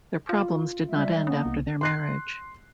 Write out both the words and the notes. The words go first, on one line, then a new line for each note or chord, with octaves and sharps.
Their problems did not end after their marriage.
F4
G3 G#3 E5
A#3 B3 C#4 D#4
C2
C6 F#6 C7